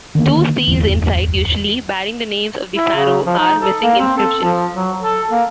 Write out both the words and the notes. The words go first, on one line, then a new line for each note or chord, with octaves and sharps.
Two Steles inside, usually bearing the names of the pharaoh, are missing inscriptions.
D3 D#3 G3 A#3
D1 G1 E2 E3
E4
C#3
F3
D#4
A4
A#3
C4
A4
F3
F#3
A4
A#3